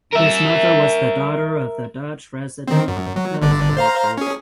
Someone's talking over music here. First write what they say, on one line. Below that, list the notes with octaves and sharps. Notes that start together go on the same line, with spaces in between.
His mother was the daughter of the Dutch resident of Kochi.
A#4 E5
D#3 C4
F#2
F#3
G1 D3 D5
C5 F5 A#5
C#4 G#4